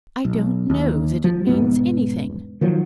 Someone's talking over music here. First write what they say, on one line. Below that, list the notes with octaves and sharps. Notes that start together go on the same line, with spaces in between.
'I don't know that it means anything.
B1
D#2
F3
E1 G#2 B3
D#3 F3 F#3